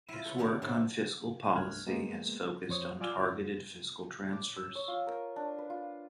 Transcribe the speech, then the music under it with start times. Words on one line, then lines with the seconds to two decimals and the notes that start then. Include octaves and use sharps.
His work on fiscal policy has focused on targeted fiscal transfers.
0.09 E4 F4
0.25 A4 B4 C#5
0.38 D#3 G3 B3 D4 C#5
0.62 A2 C3 B3 D4 E4 A4
1.54 C2 G2 A3 F6 F#6 G#6
1.87 G#3 A#3 B3
2.69 F2 C5 C#5 D#6
3.00 F4 D5 G#5 D6 E6 F6
3.33 F#2
4.33 D6
4.56 E6
4.75 C#5
4.88 F4
5.07 A#4
5.36 D4
5.58 B4
5.70 F4